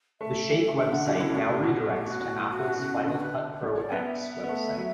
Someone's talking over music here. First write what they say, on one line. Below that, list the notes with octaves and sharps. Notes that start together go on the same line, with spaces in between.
The Shake website now redirects to Apple's Final Cut Pro X website.
A3 E5
E3
D3 E5
D3 F#5
B2 G4
C#3 E4
A2 F#4
G4
B2
A2 G4
B2 F#4
A2
E4
F#4
B2
C#3
D3 F#4
B4
G3
C#5
D5
B3 E5
E5
E5
B3
A3
F#3